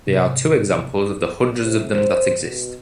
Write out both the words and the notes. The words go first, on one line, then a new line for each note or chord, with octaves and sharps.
They are two examples of the hundreds of them that exist.
G#2 C3
C3
C5
B2